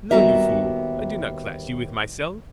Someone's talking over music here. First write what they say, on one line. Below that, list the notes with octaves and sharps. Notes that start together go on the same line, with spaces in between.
No, you fool, I do not class you with myself!
D#2 G3 B3 F#4 A#4 E5